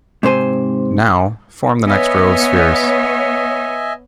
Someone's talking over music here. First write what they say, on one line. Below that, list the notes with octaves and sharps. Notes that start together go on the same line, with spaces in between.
Now, form the next row of spheres.
G#2 C3 C5 G#5
B3 C#5 D#5 E5 G#5